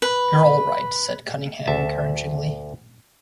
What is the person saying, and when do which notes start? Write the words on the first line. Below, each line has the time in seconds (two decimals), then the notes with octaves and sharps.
"You're all right," said Cunningham encouragingly.
0.02 B4
1.67 D2 E5 A5